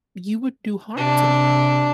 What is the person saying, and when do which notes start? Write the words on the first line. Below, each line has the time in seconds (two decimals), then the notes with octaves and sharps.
you would do harm to me
0.97 C3 D4